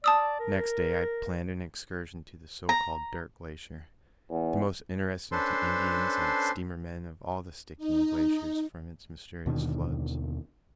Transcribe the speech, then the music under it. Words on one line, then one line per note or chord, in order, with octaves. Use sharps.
Next day I planned an excursion to the so-called Dirt Glacier, the most interesting to Indians and steamer men of all the Stickeen glaciers from its mysterious floods.
D5 A5 D#6 E6
A#4
A#5
E2
C#4 D4 A4 B4 C5 C6
D#4
D#2 B2 D3 D#3